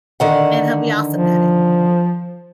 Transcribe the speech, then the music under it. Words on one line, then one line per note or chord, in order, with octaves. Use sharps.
and he'll be awesome at it.
D3 D#3 F#5
F3